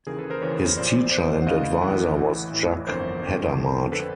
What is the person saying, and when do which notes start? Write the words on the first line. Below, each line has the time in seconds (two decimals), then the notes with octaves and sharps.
His teacher and advisor was Jacques Hadamard.
0.07 D#2 C#3 E3 G#4 A#4
0.18 A4 B4
0.30 A#4 C5
0.42 D#2 C#3 E3 B4 C#5
0.77 A#1 A#2 C5 D5
1.12 A#1 A#2 C5 D5
1.42 F#5
1.46 D2 C#3 E3 D#5 F5
1.82 D2 C#3 E3 E5 F#5
2.17 A1 A2 E3
2.51 A1 A2 E3
2.87 G1 F2 D3 A#4 C5
3.22 G1 F2 D3
3.57 F2 D3
3.92 D3 A4 B4